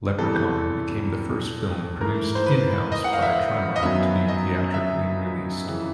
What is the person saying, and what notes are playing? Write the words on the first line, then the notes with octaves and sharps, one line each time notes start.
"Leprechaun" became the first film produced in-house by Trimark to be theatrically released.
E2 C3 E3 G3 A4
G#2 E3 A3 A#4
C5
B4
D#5
F#5
F5
E5
D#5
F#2 D#3 F#3 B3 E5
D#5
E5
F2 C#3 E3